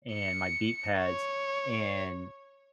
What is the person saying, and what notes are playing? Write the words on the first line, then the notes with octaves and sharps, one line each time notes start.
and my beat pads, and
C#7
C#5